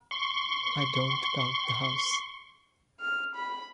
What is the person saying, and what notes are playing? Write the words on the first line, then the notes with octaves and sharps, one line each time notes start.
I don't count the house.
C6 C#6
F6
B5